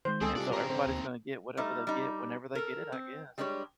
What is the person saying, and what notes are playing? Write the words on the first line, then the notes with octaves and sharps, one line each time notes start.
And so everybody's gonna get whatever they get whenever they get it, I guess.
D#3 G#3 C5
C#2 C4 G#4 A4
C2 D4 F4 G4 D5
C4 A#4
D3 C5
D#2
G3 A3 D#4
G3 D#4
A4 A#4
C4
G3 G#3 D4 G4 B4 C#5